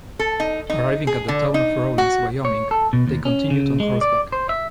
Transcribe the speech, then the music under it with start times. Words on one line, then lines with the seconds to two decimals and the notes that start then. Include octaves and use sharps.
Arriving at the town of Rawlins, Wyoming they continued on horseback.
0.19 A4
0.40 D#4
0.70 D#4
1.07 G#4
1.28 D3
1.54 D#4
1.98 F#4
2.45 C#5
2.71 A4
2.93 B2
3.08 D#2
3.25 C#4
3.50 C#3
3.80 G#3
4.01 D5
4.32 C5
4.49 E5